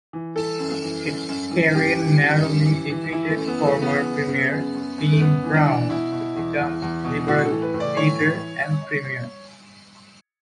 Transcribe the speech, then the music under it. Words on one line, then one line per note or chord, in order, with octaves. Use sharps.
Kerin narrowly defeated former premier Dean Brown to become Liberal leader and premier.
E3
E3 A4
F#2
E3
F#2
F#2
E3
F#2 G4
E3
F#2
F#2
E3
E3
E3 E4
A3
F#2
B3
E3
A3
C#3 B3
F#2
C#3
F#2
F#2
F#2
A3
F#2 B3
E3
D4
E3
B2 E4
B2
E2
E2
E2
B2
A2 F#4
A4
E3
B4
A2
D5
E3 C#5
A2